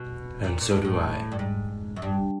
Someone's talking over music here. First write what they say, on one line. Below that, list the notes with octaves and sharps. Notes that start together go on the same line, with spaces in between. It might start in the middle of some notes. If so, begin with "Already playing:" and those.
And so do I.
Already playing: B2
A#2
A#2
A2
G#2
A2
G2
G#2
F#2
G2